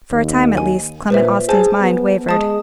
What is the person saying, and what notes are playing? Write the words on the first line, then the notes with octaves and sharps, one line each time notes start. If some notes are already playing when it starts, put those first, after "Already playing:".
For a time, at least, Clement Austin's mind wavered.
D#2
G#5
A#2 B4 C5 E5
G#4 C5 G#5 A5
B3
G#3 A5 D#6